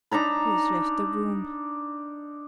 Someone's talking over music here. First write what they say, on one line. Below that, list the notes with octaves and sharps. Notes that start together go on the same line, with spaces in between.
He has left the room.
D4 D#4 A#5 B5